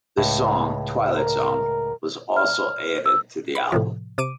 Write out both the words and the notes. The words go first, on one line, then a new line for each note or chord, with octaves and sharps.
The song "Twilight Zone" was also added to the album.
C#2 A2
A#4
F6
E6
B5
A2 C3 F3
C3 D6 D7 D#7